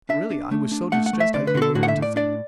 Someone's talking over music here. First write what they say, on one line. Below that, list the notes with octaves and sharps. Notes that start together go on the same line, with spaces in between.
Really I was so distressed, I didn't know what to think.
D4 E5
D4
A3
D4
A3 F#5
F#5
A3
E5
D3 D5
B4
D3 F#4
A4
A2 F#4
F#5
E5
A2
D5
D4 D5